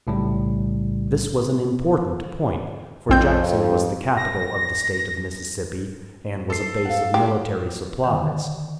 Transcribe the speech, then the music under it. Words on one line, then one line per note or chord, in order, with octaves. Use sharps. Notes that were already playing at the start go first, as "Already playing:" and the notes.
This was an important point, for Jackson was the capital of the State of Mississippi, and was a base of military supplies.
B1 A2 C#3 G3
A#1 F2 C4 G6
A#6
A4 C7
F5 F#5
G#3 G4
D3 D#3